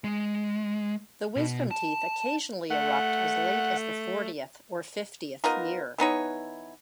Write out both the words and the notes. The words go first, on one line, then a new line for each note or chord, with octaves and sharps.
The wisdom teeth occasionally erupt as late as the fortieth or fiftieth year.
G#3
B2
A5
A3 F#5
B3 D#4 F4 A#4
E3 B3 D#4 C#5